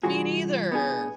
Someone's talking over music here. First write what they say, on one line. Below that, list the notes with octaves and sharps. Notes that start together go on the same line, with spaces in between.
Me neither!
C2 G2 E3 F4 F#4 G#4
B3 D4 G#4